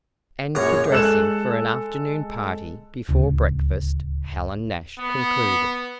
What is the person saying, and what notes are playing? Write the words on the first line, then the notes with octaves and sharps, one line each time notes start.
"And for dressing for an afternoon party before breakfast," Helen Nash concluded.
A#1 F#2 C#5 A#5
G#3 A4 F#6 E7
D1 C#2
B3